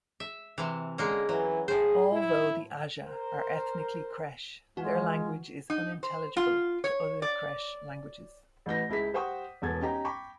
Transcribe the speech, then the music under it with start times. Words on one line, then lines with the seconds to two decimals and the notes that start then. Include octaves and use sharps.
Although the Aja are ethnically Kresh, their language is unintelligible to other Kresh languages.
0.20 E5
0.58 C3 E3
0.98 D3 G#3 A#3 C#4
1.29 E3 F#3
1.68 A2 G#4 C5
2.12 E4
3.04 A#4 C5
4.77 E3 G#3 F4 F#4 G#5
5.70 D#4
6.03 C5
6.37 F4
6.84 C#5
7.22 D5
8.66 A1 E3 G6 A#6
8.89 C#2 E4 G#4 B6
9.14 G4 C5 F#5 G5 C#6 D#6
9.62 E1 E2 A4 G#6
9.81 C#4 D#4 G4 G5 A#5
10.05 G5 B5 C#6 D6